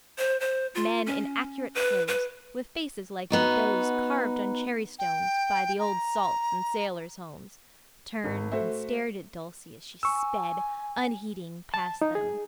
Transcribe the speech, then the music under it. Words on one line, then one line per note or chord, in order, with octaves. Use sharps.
Men in accurate clothes, with faces like those carved on cherry stones by the old salts in sailors' homes, turned and stared at Dulcie as she sped, unheeding, past them.
C5
C5
F4
C#4
B4
B4
B3 D#4 F#4
G5
A#5
G#1
A3 F#4 C5 E5
G#5 C#6 E6
A5
D#4
G#4